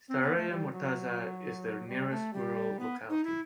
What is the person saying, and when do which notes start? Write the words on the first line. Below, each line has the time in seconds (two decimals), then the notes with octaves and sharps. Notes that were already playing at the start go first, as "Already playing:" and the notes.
Staraya Murtaza is the nearest rural locality.
0.08 C4
0.23 B3
0.36 A3
0.50 G3
0.72 F#3
1.87 G3
2.10 A3
2.33 G3
2.79 B3
3.10 D#4
3.24 E4